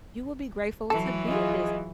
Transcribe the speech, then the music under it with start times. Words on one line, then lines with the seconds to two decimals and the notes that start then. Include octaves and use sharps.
you will be grateful to be this.
0.90 E3 F#3 A4
1.27 F4 G#4 D#5